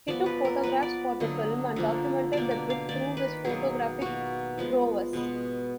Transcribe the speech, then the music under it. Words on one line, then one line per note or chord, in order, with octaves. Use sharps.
He took photographs for the film and documented the trip through his photographic prowess.
F3 B3 D5
B4
A#4
F3 B3 B4
D5
D3 F#3 A#3 D#5
D3 F3 A#3
B2 A#3 D5
D5
F5
D#3 A#3 D5
B4
B2 F#3 A#3 G#4
B2 A#3 F#4
F3 G#3 B3
B2 G#3 B3